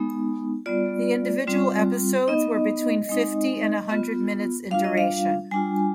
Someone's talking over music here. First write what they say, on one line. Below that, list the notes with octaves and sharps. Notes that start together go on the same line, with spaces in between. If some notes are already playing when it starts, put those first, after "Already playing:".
The individual episodes were between fifty and a hundred minutes in duration.
Already playing: G#3 B3 D#4
G3 B3 F4 D5
G3 C4 F4
B3 D#4 D#5
G#3 C4 D#4
B3 F4
G3 D4 F4 F5
D#5
F5
G3 D4 F4 G#5